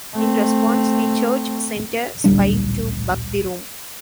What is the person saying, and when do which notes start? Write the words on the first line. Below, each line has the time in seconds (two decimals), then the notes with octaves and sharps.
In response, the church sent a spy to bug the room.
0.14 A3 C4
2.24 D1 A#1 G3 D4